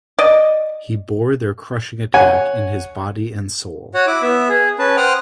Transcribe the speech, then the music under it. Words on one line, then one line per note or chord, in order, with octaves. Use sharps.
He bore their crushing attack in his body and soul.
D5 D#5
C#5 F#5 G#5
F#4 C#5 F#5
E4 D6
B3 E5
G#4
C#4 B4 A5
C5 F#5 G5 D#6 F6